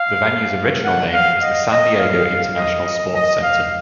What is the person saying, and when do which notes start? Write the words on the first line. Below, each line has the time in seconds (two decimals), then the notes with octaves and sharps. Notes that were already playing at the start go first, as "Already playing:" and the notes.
The venue's original name was the San Diego International Sports Center.
Already playing: F5
0.85 F#5
1.13 F5
1.42 D#5
1.71 D#5
1.99 F5
2.57 D#5
2.85 D#5
3.15 D#5
3.42 F5